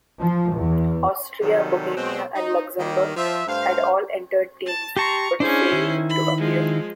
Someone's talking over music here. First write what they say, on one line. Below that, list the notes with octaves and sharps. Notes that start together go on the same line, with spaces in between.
Austria, Bohemia, and Luxembourg had all entered teams, but failed to appear.
F3
E2
C3 D#3 F#3 G3 G#4 A4
B2 F#3 G#3 C4
D#4
D#3 G3 A#3
F3 E5
G2 A3 C5 F5
A5
G4 A5 A#5 C6 C#6
C#4 D4 E4 G#4 C5
D#3 E4
B5
F3 G#3